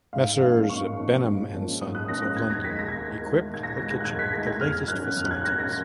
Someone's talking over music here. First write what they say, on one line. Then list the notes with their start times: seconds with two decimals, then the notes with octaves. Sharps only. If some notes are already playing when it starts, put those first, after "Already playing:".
Messrs Benham and Sons of London equipped the kitchen with the latest facilities.
0.13 G#2 F5
0.40 F3 A#3 C#4 F5
0.69 G#2 C#6
0.97 F3 A#3 C#4
1.25 G#2
1.52 F3 A#3 C#4
1.81 G#2 D#6
1.95 F#6
2.08 F3 A#3 C#4 A#6
2.23 F#6
2.37 D#2 G#6
2.50 A#6
2.65 D#3 G#3 B6
2.79 A#6
2.88 G#6
2.93 D#2 A#6
3.21 D#3 G#3
3.49 D#2 G#6
3.63 A#6
3.76 D#3 G#3 A#6
3.91 G#6
4.01 F#6
4.05 D#2 G#6
4.19 B6
4.32 D#3 G#3 A#6
4.47 G#6
4.60 F2 F6
4.88 D#3 F#3 C#4 F#6
5.16 F2 F6
5.25 F#6
5.31 G#6
5.45 D#3 F#3 C#4 A#6
5.59 A#6